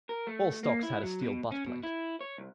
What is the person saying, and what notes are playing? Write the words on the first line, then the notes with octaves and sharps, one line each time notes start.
All stocks had a steel buttplate.
A#4
A3
A#3
E4
F#3
B2
C#4
B2
E4
C#5
C2